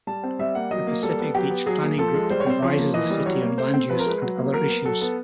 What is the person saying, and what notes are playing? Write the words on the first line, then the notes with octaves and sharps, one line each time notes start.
The Pacific Beach Planning Group advises the city on land use and other issues.
G3 A5
C4
G3 E5
A#3 F#5
F#3 D#5
A#3
G3 A4
B3
F#3 G4
B3
F#3 G#4
A#3
F3 A4
G#3
G3 C5
C#5
C4 C5
F3 C#5
A#3
E3 D#5
G3
F#3 C#5
A#3
A3 C5
C4
F3 B4
A#4
G#3 B4
F#3
A#3
F#3 A#4
B3
F#3 A4
B3 A4